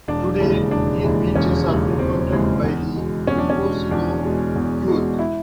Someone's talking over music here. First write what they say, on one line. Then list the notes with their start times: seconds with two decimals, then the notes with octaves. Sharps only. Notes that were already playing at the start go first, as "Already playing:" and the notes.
Today, these beaches are frequented by the "tumbesino" youth.
0.08 E1 D4
0.39 D#2 C#3 E3 G#3
0.71 E1 D4
1.03 D#2 C#3 E3 G#3
1.35 E1 C#4
1.67 D#2 C#3 E3 G#3
1.99 E1 C4
2.32 D#2 C#3 E3 G#3
2.64 E2
2.95 B2 G#3
3.27 E2 C#4
3.38 D4
3.50 C#4
3.59 B2
3.64 G#3
3.91 E2 D4
4.23 B2 G#3
4.56 E2
4.88 B2 G#3
5.19 E4